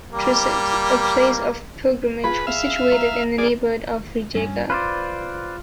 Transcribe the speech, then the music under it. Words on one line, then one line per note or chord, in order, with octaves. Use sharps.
Trsat, a place of pilgrimage, was situated in the neighbourhood of Rijeka.
G3 A#3
F4 G#4 B4 B5
E5 F5
A#5
G#4 A#4 D5
G2 C#4
F4 B4 C5 D5